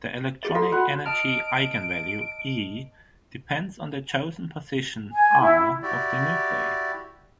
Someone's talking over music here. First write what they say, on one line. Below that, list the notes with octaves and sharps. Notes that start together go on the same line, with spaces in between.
The electronic energy eigenvalue "E" depends on the chosen positions R of the nuclei.
G4 G#4 D#5
F4 A4 C6
F#4 F#5 B5
D#5 A5 F6 D7
G#5
E4
E4 F#4 G4 D5